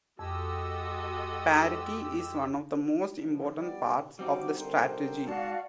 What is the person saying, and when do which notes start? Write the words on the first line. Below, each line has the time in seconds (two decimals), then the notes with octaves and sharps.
Parity is one of the most important parts of the strategy.
0.19 F2 G#3 F#4 G4 A4 D#5 E6
3.24 G2 F3
3.59 G3 B3 D5
4.19 G3 C4 D#4 F#4 D6
4.58 D3 A#4 C5 G5
5.27 G#2 F#4 D5 F5 A5